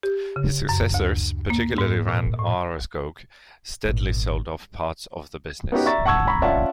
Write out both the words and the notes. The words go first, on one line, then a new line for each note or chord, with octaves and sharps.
His successors, particularly Rand Araskog, steadily sold off parts of the business.
G4
C#3
F#2
D2
A#3
G#2
A#2
A2
G#1 A#2
B3 C#4 D#4 F#4 G4
D5 E5 A#5 C#6 A6
F#5 A5 C#6 E6 G#6
A#5 B5 C#6
C#4 F4 D5 E5 F#5 A5